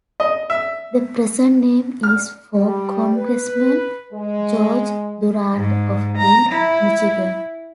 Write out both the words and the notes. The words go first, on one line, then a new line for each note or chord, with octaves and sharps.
The present name is for congressman George Durand of Flint, Michigan.
D#5
E5
F6
G3
B4
G#3
G#2
A#5
E4